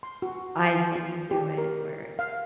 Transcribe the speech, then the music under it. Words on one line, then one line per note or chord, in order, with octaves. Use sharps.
I've been through it where
C6
F#4
G#5
F4
G4
A#4
F5